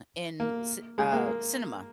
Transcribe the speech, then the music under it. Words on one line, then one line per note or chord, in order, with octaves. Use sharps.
in ci uh, cinema,
A#3
G#3
A#3
A#3